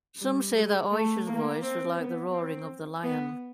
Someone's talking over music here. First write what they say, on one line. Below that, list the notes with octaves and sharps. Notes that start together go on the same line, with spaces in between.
Some say that Oysher's voice was like the roaring of the lion.
G3
G#3
A3
A#3
C4
B3
C4
B3